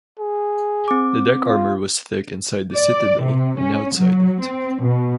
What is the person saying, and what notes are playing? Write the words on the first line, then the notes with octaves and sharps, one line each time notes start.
The deck armor was thick inside the citadel and outside it.
G#4
C4 D6
F4
D5
C3
C#4
F#3
C4
B2